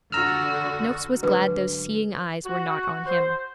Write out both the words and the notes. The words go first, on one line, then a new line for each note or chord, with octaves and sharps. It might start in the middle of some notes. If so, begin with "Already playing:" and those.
Noakes was glad those seeing eyes were not on him.
D3 F#4 A#5 E6 F6
G#2 D3 F#3 B4
F#4
C5